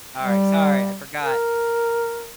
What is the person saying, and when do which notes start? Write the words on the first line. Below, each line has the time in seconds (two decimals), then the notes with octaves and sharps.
Sorry, sorry, I forgot.
0.22 G3
1.21 A#4